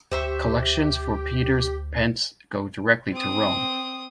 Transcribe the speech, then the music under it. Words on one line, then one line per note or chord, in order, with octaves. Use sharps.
Collections for Peter's Pence go directly to Rome.
D2 G4 C5 E5 C#6
C4 D#6